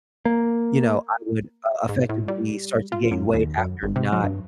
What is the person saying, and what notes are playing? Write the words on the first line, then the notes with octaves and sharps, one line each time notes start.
you know, I would, uh, effectively start to gain weight after not
A#3
G#2
A2
G3
F4
F#2
D#2
F#2
G#1
C3
F#3
G2